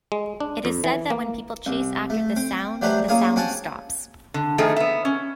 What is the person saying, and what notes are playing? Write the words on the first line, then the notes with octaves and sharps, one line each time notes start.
It is said that when people chase after this sound, the sound stops.
G#3
D4
F2
E3
A#3
C2
A3
C4
F#3 G3 A3 B4 C5
A#3 C#4 F4 G#4
C4 C#4 F#4 G#5 A5
D3
D#3 F3 A3 G#4
B3 E5
C#4